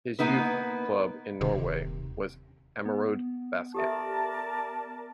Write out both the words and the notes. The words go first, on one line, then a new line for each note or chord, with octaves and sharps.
His youth club in Norway was Ammerud Basket.
A#3 B3 D#4 B4
D#1 C3 D#3
B3
G4 A4 A#4 D5 E5 A5